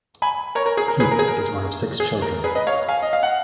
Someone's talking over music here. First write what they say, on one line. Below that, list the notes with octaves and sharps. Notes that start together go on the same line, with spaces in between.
Heap is one of six children.
G#5 B5
A#4 C#5
A#4
G#4
A#4
G#4 B4
A#4
G#4
A#4
G#4
A#4
G#4 B4
B4 D#5
C#5 F5
F5 G#5
D#5
F5
F#5